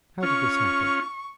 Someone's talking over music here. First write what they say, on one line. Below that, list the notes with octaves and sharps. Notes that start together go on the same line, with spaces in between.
How did this happen?
C#4 F4 C#6